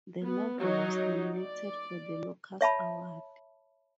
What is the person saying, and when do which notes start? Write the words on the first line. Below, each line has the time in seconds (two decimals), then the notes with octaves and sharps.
The novel was nominated for the Locus Award.
0.25 B3
0.61 F#3 D#4
1.36 D5
2.61 C#5 E5 A5 B5